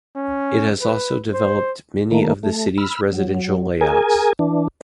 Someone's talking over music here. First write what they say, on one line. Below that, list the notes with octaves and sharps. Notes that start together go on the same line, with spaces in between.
It has also developed many of the city's residential layouts.
C#4
B4
C5
D#3 A3 A#3
A3
B5 E6 F6
F#3
G#4 A#4 G#5
E3 D4